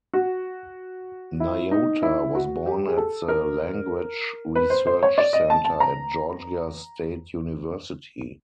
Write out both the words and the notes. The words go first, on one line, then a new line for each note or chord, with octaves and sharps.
Nyota was born at the Language Research Center at Georgia State University.
F#4
E4
D#4
E4
F#4
G4
G#4
A4
A#4
B4
C5
C5
C#5
D5
D#5
A5
A5
A#5